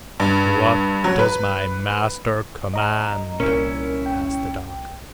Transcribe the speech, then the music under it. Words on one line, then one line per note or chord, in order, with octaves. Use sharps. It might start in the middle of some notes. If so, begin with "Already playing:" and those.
"What does my master command?" asked the dog.
G2
F#3
B4
D#5 A#5
C2 A#2 C#4 E4 A#4
G5